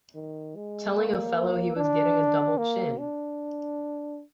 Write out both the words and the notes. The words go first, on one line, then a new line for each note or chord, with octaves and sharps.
Telling a fellow he was getting a double chin!
D#3
G#3
A#3
D4
A#3
D4